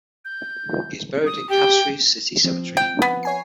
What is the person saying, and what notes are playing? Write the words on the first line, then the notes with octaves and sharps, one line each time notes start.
He is buried in Castries City Cemetery.
G6
D#6
G4 G5
F3 C4
G5
B3
C#5 G#5 C7